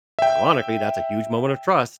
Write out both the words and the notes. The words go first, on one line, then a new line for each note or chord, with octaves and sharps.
ironically, that's a huge moment of trust.
E5 G5